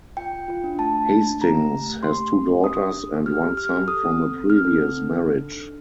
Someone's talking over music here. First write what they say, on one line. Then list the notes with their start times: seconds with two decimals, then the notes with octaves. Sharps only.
Hastings has two daughters and one son from a previous marriage.
0.17 F4 G5
0.33 F4
0.48 F4
0.64 D4
0.79 A3 A5
0.94 A3
1.10 D4
1.26 A3
1.41 A3 A#5
1.57 A3
1.72 G4
1.87 A3
2.02 G4 C6
2.18 A3
2.34 G4
2.49 G4
2.64 D4 D#6
2.80 D4
2.95 G4
3.11 G4
3.26 G4 F6
3.42 G4
3.57 G4 F6
3.73 G4
3.87 A4 D#6
4.03 C4
4.19 C4
4.34 C4
4.50 C4 F6
4.65 A4
4.81 C4
4.97 D#4
5.11 A4
5.27 D4
5.43 D4
5.58 D4